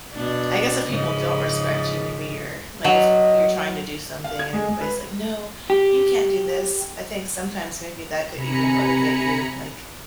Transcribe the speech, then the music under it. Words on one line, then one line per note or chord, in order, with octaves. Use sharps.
I guess if people don't respect you, maybe you're like, if you're trying to do something and everybody's, like, "No, you can't do this," I think sometimes maybe that could even motivate you, like,
B2 D4
G#2 C#3 F3
F#3 D#5
F5
G#6
G#3
G#3
B4
G4
C3 G#5 A#5 B5 C#7